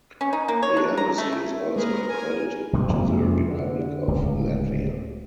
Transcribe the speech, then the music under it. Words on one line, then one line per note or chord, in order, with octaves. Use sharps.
The embassy is also accredited to the Republic of Latvia.
C#4
D#4
A#3
C#5
D4
A#5
A3
E4
G#3 A#3 G#4 A#4 B4
G#5
B1 G2 G3 G#3
F2 C3 G#3 A#3
D3
D1 C#2